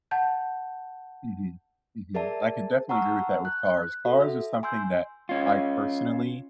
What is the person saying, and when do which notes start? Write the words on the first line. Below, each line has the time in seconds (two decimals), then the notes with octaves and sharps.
Mhm, mhm. I can definitely agree with that with cars. Cars are something that I, personally
0.11 F#5 A5 G6
2.15 G#4 A#4 D5 E5 A5
2.89 F#5 A5 A#5 C#6 E6 F6
3.45 F#6
4.05 F#4 A4
4.20 E5
4.63 G#5 C6 E6 G6
5.29 C#4 F4